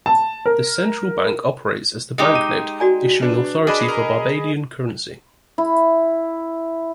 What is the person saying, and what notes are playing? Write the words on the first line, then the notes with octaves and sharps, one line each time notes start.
The Central Bank operates as the banknote issuing authority for Barbadian currency.
A5
A#4
G#3 D#4 G4
D#7
F#4 D5 G#5
D4 B4
D4 G#4 D#5 B5
A#4
E4